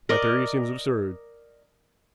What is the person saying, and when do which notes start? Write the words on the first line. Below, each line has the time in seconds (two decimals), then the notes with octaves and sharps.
My theory seems absurd.
0.09 A#4 D5 D#5